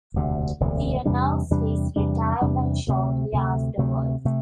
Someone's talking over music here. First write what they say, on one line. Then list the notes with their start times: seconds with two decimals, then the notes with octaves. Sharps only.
He announced his retirement shortly afterward.
0.14 E1 D2 C3
0.60 E1 D2 C3
1.06 E2 C3 G3 D4
1.50 E2 C3 G3 D4
1.96 E2 C3 G3 D4
2.41 E2 C3 G3 D4
2.87 D2 C3 A3
3.32 D2 C3 A3
3.78 D2 C3 A3
4.25 C3 A3